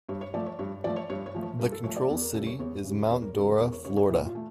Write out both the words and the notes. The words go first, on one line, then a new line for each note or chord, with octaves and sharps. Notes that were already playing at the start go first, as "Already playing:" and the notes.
The control city is Mount Dora, Florida.
G2 C#5
C#5
F3 A3 D5
C#5
G2 C#5
F3 A3 D5
C#5
G2 C#5
C#5
F3 A3
C#5
G2 A#4
A4
F3 A3 C#5
D5
E2
A#4
C#3 G3 A4
C#5
E2 C#5
C#3
G3
E2 C#5
A#4
C#3 G3 A4
A#4
E2 C#5
A#4
C#5
C#3 G3 C#5
C#5
A#2 E4
F4
A3